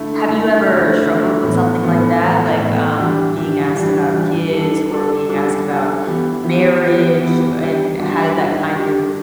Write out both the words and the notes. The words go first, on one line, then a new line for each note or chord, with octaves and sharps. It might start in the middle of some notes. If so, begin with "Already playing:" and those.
Have you ever struggled with something like that? Like, um, being asked about kids, or being asked about marriage, o and, how did that kind of
Already playing: D3 A3 E4
D3 A3 E4
D3 A3 E4
D3 A3 E4
A2 E3 B3
A2 E3 B3
A2 E3 B3
A2 E3 B3
E3 G3 D4 G4
E3 G3 D4 G4
E3 G3 D4 G4
E3 G3 D4 G4
G3 D4 A4
G3 D4 A4
G3 D4 A4
G3 D4 A4
E3 B3 G4
E3 B3 G4
E3 B3 G4
E3 B3 G4
G3 D4 G4
G3 D4 G4
G3 D4 G4
G3 D4 G4